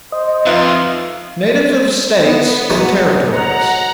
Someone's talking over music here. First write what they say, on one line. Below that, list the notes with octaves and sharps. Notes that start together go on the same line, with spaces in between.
Natives of States and Territories.
C5 D#5
F2 D#4 F4 B4 E5
B3
F#3 G#3
F#5 A#5